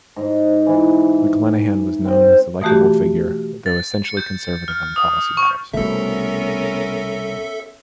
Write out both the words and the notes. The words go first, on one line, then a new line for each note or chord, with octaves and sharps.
McLenaghen was known as a likeable figure, though essentially conservative on policy matters.
G#2
E3
C4
B2 E3 A3 F#4 G4
A6
C#7
G6
F6
D#6
C#6
C2 B2 A3 B3 C#4 A4 A#4 E5